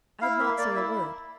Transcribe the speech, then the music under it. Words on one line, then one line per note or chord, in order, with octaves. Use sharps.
I'd not say a word.
E4 F5
A#3 E5
A#3 D5
E4 E5